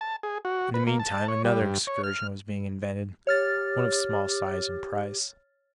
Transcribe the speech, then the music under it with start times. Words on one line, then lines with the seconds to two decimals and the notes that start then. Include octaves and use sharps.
In the mean time another excursion was being invented, one of small size and price.
0.01 A5
0.23 G#4
0.45 F#4
0.74 B4
0.87 A#3
1.00 A5
1.28 C#5
1.45 G3
1.61 G2
1.87 C#5
2.04 F6
3.27 G4 C#5 F6 A6